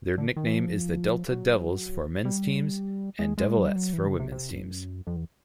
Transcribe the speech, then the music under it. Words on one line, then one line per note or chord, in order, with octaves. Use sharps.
Their nickname is the Delta Devils for men's teams and Devilettes for women's teams.
D3
D#3
E3
F3
F#3
G3
G#3
G#3
F#3
G3
F#3
E3
C#3
C3
C3
F#2
F2
E2